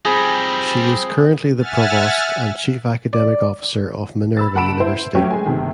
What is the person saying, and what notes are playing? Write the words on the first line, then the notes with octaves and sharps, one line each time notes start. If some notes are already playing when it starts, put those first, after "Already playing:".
She is currently the Provost and Chief Academic Officer of Minerva University.
F3 G3 C4 D#4 G#4 B5 A#6
E5 F#5 G#5 F6 A6
D5
B5 E6 A6
F#1 F#5 A5 B5 D7 E7
E4 C5
F#3 A3 C#4 F#4 G4
G#3 A3 G#5
G1 C3 D#3